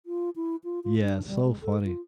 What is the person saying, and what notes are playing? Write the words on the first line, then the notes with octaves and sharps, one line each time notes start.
Yeah, so funny.
F4
E4
F4
F4
D4
G3
G#3
A4
F4